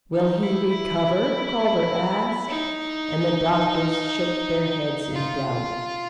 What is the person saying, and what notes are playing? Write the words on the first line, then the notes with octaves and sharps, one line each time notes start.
"Will he recover?" Calder asked, and the doctors shook their heads in doubt.
D#4
E4
E4
D#4
F4